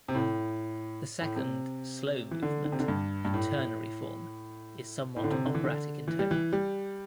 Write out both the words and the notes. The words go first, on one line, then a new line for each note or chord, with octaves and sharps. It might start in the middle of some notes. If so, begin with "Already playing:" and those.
The second, slow movement, in ternary form, is somewhat operatic in tone.
C3
A2
A2
C3
E3
D3
D3
C3
D3
G2
G2
A2
A2
D3
C3
D3
E3
D3
E3
G3
E3
G3